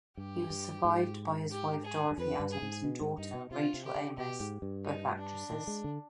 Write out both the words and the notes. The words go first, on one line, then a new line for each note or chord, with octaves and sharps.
He was survived by his wife Dorothy Adams and daughter, Rachel Ames, both actresses.
G2 G4
G2
G#2
G4
G#4
G2
F2 B4
G2
G#4
G#2
B2
G#2
G2 D#4
B2
C3 F4
C3
G4
D3
B2 G4
G#2
G2
D#4
D4
D#3
G#3
D3